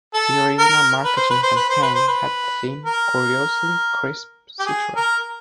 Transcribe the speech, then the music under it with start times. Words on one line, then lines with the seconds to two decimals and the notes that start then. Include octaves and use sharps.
The original marketing campaign had the theme "Curiously crisp Citra".
0.14 A4
0.59 A#4
1.05 B4
1.17 C5
1.31 B4
1.43 C5
1.56 B4
1.69 C5
1.83 B4
1.95 C5
2.08 B4
2.86 A#4
4.59 G4
4.66 G#4
4.97 A#4